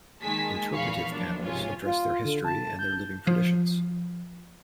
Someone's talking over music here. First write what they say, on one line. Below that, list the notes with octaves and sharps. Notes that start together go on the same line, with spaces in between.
Interpretive panels address their history and their living traditions.
D#3 G#3 A#3 G#5 A5 B6
A#1 E2 A#2 F5 B5 C#6
F3 F#3 A#3 D4
G#1 C#2 C3 F4 C#5 G#5
F4
D3
A5
G6
F3